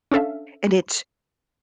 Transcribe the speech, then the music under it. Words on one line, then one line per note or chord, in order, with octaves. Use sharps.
and it's
C#4 D4 A4 E5 F5